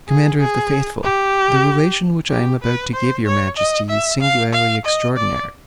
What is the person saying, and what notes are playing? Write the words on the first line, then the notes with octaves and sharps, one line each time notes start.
Commander of the faithful, the relation which I am about to give your majesty is singularly extraordinary.
G#4
G#4
G4
G4
B4
C5
C#5
D#5
E5
F5
F5
D#5
D5